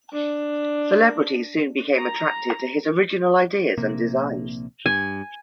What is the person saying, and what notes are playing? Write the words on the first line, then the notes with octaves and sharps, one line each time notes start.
Celebrities soon became attracted to his original ideas and designs.
D4
A#5
A#1 C3 A#3
G2 G#5